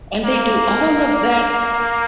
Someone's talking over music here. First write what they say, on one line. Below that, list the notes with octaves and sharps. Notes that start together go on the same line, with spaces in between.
and they do all of that
A#3